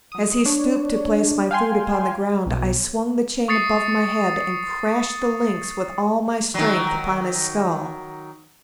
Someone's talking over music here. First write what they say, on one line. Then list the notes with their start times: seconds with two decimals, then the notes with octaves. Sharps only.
As he stooped to place my food upon the ground I swung the chain above my head and crashed the links with all my strength upon his skull.
0.12 F#3 D#6
0.45 D4 C#5
1.51 F5 G5 G#5 C6
2.46 B1 B2
3.48 C#6 D#6 A6 C7 C#7
6.54 D#3 F#3